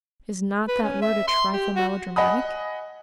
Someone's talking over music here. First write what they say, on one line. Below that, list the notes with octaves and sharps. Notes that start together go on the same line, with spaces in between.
"Is not that word a trifle melodramatic?"
B4
C#4
E5
C6
G4
F#4
D#5 F#5 G#5 B5 D#6